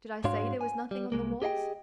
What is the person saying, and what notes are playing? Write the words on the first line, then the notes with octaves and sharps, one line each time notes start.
Did I say there was nothing on the walls?
G#2 D4 F#4 C#5 F5 C6
G#5
G3
C2 G#3 A#3
G4 G#4 D#5 F5 G5